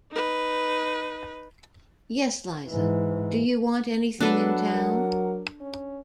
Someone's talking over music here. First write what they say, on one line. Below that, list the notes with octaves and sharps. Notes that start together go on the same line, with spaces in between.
Yes, Liza; do you want anything in town?
D#4 B4
G#2 E3
F#3 B3 D4 A4 B4 F#5
A#4
C#4